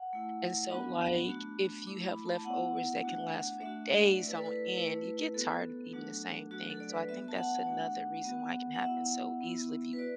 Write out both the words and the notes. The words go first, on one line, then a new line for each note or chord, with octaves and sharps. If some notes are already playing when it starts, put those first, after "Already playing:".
And so, like, if you have leftovers that can last for days on end, you get tired of eating the same thing. So I think that's another reason why it can happen so easily if you
Already playing: F#5
A3 E4
F#3 B3 D4 F#4 B5
A3 D4 F#4
A3 E4 D6
B5
A5
B3 E4 F#5
A3 D4 F#4
A3 D4 F#4 E5
D5
A3 E4 B4 D5
A4
B4
A3 E4
B3 F#4 A4
F#3 A3 D4 F#4
F#3 A3 D4 F#4
A4
D5
B4
B3 F#4 E5
A5
F#5
A3 D4 F#4
B3 F#4
F#5
B3 E4 E5
B3 E4
B4
F#4 D5